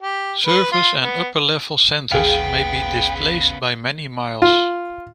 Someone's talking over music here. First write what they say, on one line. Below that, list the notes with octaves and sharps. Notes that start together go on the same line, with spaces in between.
Surface and upper-level centers may be displaced by many miles.
G4
B4
F4
B3
A1 D#2 C#3 B3 G#4 F5 G5
F4